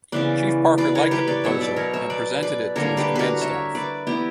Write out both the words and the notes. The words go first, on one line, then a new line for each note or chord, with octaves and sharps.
Chief Parker liked the proposal and presented it to his command staff.
C#3 E3 B3 B4 D5
B4 D5
A#4 C#5
G4 B4
B4 D5
B2 F#3 B3 C#5 E5
B4 D5
A#4 C#5
C#5 E5
B4 D5
B4 D5
D3 G3 A#3 A#4 C#5
G4 B4
F#4 A#4 B4
C#5 E5
B4 D5
E3 B3 E4 G4